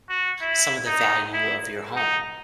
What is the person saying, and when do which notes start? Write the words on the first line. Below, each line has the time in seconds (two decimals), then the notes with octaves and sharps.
some of the value of your home.
0.09 F#4
0.41 E4
0.86 D#4
1.33 E4
1.96 D#4